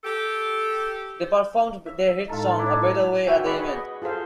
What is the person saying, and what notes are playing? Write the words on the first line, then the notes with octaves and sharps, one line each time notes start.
They performed their hit song, "A Better Way" at the event.
G4 A4
E5
A2 G#3 D#4 F4 A4
D4 E4 D6
F#4 B4 C#5 E5 G5 G#5
G#4 B4 D5 F#5 B5 C#6
D#5
F4 G#4 A4 C5 F5